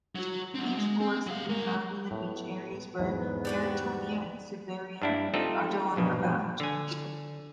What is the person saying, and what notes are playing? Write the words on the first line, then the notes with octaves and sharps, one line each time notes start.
Beach forest can be found in beach areas where Barringtonia and Cerbera odollam abound.
F#3 F#4
F#3 C4
G#3
C4
F#3 F5
G#3 A#4
A2 B3 G4
E2 G#2 C3 B3
G3 D4 F#4
G2 D4 E4
G3 A3 C4 D#4 F4 A4
A#1 G2 B2
D3 G#5